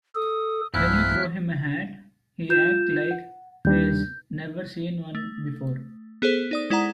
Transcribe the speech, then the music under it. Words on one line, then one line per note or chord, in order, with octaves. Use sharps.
When you throw him a hat, he acts like he's never seen one before.
A4 D#6
B1 E2 G2 F3 E4 F6 F#6 B6
F4 G6 E7
F#5
D#2 G3 D4 G6
A3
B3 G#4 A4 C5
D#4 D5 D#6
G#3 E4 D5 F#5 A#5